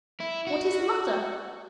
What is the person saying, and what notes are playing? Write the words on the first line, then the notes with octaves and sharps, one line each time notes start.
'What is the matter?
E4
F#4